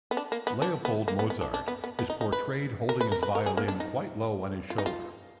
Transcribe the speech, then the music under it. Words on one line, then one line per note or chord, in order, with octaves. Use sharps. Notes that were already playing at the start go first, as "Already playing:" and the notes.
Leopold Mozart is portrayed holding his violin quite low on his shoulder.
B3
D4
A#3
B3
D4
B3
A#3
B3
B3
D4
D4
B3
B3
B3
D#4
D#4
B4
A#4
B4
A#4
B4
A#4
G#4
A#3
D4
D#4
F4
D#4
F4